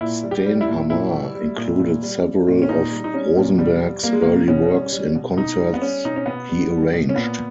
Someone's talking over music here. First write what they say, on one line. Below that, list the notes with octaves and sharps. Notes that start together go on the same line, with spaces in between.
Stenhammar included several of Rosenberg's early works in concerts he arranged.
A#2 E4
G3
G4
G3
E4
A#2
A#2 E4
G3
G3
A#2
A#2
G3
G3
A#2
C#4
A#2 D#4
G3
D#4
G3 C#4
A#2
B2 G3
G3
G3 A#3
G#3
B2 A#3
B2 C#4
G3
G3
B2
B2 D#4
G3
B3
G3 C#4
B2 D#4
C#4
B2 B3
G3
G3
B2
C#4
A#2 B3